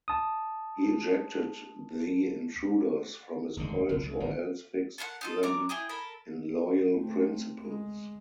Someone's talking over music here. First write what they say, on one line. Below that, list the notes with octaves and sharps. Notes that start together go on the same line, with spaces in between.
He ejected the intruders from his college or else fixed them in loyal principles.
A5 D#6
F1 D#2 D3 G#3
F#1 B1 F#3
C2
G#1 A#2 D3
A4 A#4 F5 F#5
D#4 F4 A4
D4 A#4 A#5 D6
E4 G#4 G5 D#6
A4 A#4 B5
A3 C4
G#3